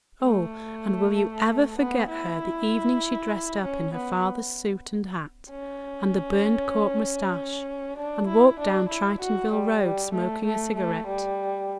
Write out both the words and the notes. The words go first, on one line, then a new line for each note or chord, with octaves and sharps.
O, and will you ever forget her the evening she dressed up in her father's suit and hat and the burned cork moustache and walked down Tritonville road, smoking a cigarette.
A3
B3
E4
C#4
B3
C#4
D4
E4
D4
E4
F#4
G3
G3
A3
A3
A3
G3